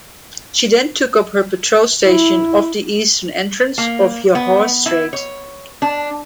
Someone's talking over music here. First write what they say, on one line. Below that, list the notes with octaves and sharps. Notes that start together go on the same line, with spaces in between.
She then took up her patrol station off the eastern entrance of Johore Strait.
E4
A#3
B3
E4
C#5
D4